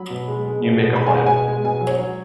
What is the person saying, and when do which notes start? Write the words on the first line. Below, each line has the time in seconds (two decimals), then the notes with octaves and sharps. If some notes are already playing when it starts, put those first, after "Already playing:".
You make a plan.
Already playing: F#3 B5
0.10 B2
0.28 G#3
0.45 G#3
0.61 B2
0.79 B2
0.96 G#3 B5
1.06 G#5
1.13 G#3 F#5
1.26 B2 G#5
1.47 G#3
1.64 B2 G#5
1.81 F#3
1.87 C#5
1.99 F#3